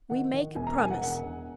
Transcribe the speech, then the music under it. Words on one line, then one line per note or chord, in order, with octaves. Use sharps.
We make a promise.
D#3 F#5
D#3
E1 G#5
A#5
E1 G#5
F#5
E1 F#5
E1